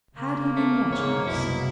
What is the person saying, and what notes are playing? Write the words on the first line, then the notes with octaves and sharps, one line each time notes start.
Had he been watching us?
C#3 A#3
A3
G#2 C#5
F#1 C2 B2 E4